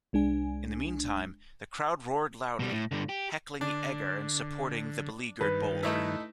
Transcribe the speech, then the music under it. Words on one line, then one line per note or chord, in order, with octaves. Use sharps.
In the meantime, the crowd roared loudly, heckling Egar and supporting the beleaguered bowler.
C2 G#3 D4 G#5
B2 G3
A2
G2 D3
G4
D3 D4
G2 D#3 B4
A3 D#4 E4